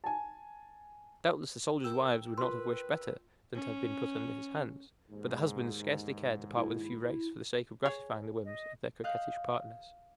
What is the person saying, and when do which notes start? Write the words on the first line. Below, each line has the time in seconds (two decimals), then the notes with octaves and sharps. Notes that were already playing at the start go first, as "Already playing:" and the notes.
Doubtless the soldiers' wives would not have wished better than to have been put under his hands, but the husbands scarcely cared to part with a few reis for the sake of gratifying the whims of their coquettish partners.
0.04 G#5 A5
1.84 A#4 G5 E6
2.38 F4 B4 C6
3.54 C#4
5.11 D#2 G#2
6.57 E4
7.85 G#4 C#5
8.45 D#5
9.04 D#5 F5 F#6 G6